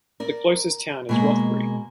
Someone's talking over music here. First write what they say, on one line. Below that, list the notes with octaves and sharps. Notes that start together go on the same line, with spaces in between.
The closest town is Rothbury.
A#4 D5
B2 G#3 A#3